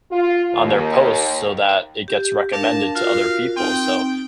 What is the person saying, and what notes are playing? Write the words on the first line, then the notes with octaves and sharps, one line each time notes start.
on their posts so that it gets recommended to other people. So,
F4
D#2
G4
D4 A#4 F5 A5
F4 F#4 A#4 F5
C4 D#4 G5